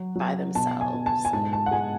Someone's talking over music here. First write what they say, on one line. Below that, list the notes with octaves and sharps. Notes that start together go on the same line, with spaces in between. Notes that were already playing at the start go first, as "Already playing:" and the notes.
by themselves and,
Already playing: F#3
F#3
B2 A5
G#5
B2
A5
G#5
G#2 A5
A5
F#5
G#3 G#5